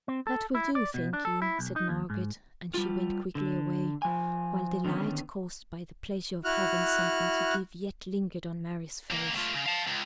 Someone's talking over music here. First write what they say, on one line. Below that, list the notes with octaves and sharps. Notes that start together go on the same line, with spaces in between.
'That will do, thank you,' said Margaret; and she went quickly away, while the light caused by the pleasure of having something to give yet lingered on Mary's face.
C4
A4
E4
D5
B2
D4
A4
E4
B1
D#4
D#2
G#2
G3 F4
D3
F3 G#5
D3 D#3 F#3 B3 C#4
E4 F#4 F6 F#6
C#2 A#3
A3 F4
C#3
F5 A5
C#2